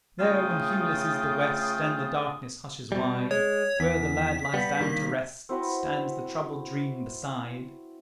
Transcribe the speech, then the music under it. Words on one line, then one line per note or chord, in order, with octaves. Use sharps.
There, when hueless is the west And the darkness hushes wide, Where the lad lies down to rest Stands the troubled dream beside.
C#3 A3 F4 G5 D#6
B2 G3
G#3 C#5
E2 B6
G3 B3
D#3 G3 A#3
C4 E4 F#4 B4